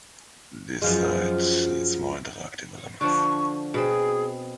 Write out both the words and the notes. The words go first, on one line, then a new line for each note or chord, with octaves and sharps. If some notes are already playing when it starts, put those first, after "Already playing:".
This site needs more interactive elements.
F#2 F3 G#3
D3 F3 D4 C#6
B2 C4 G#4